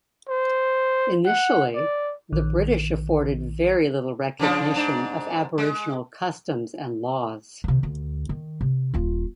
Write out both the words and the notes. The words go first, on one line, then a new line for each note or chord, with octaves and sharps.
Initially, the British afforded very little recognition of Aboriginal customs and laws.
C5
F#5
D5
A#1 D#3
C#3 F3 D4
G#2 D4
G#3
C3 D#3
D2
D#3
C3
D#1 F4